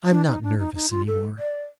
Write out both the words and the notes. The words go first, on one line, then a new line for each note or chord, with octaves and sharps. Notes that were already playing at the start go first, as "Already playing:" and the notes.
'I'm not nervous any more.
D4
D#4
D4
D#4
D#4
F4
A4
D5